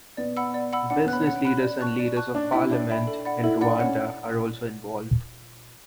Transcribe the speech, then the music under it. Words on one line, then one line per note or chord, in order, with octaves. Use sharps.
Business leaders and leaders of parliament in Rwanda are also involved.
B3 D5
F#5 B5 E6
D5
F#5 B5 E6
D4 F#5
C#4
B3 F#6
C#4 B5
F#5
B5 F#6
D5
A5 C#6 F#6
D5
A5 C#6 F#6
D4 C#5
E4 E5 G5 B5
D4 C#5
E5 G5 B5
A4
D5 F#5 B5
E4 A4
D4 D5 F#5 B5
C#4 F#5